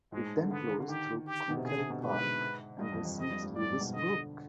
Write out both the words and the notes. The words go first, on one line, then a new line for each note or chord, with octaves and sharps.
It then flows through Kunkel Park and receives Lewis Brook.
G#2 G#3
D3
D3 B3
D3
D3
D#3 G4
G4
B2
C3
D3 G#4
C3
B2
G#2 B4
G2 D#5
F2
F2
F2 D#5
G2
G2
G2 D5
G#2
B2
D3 D#5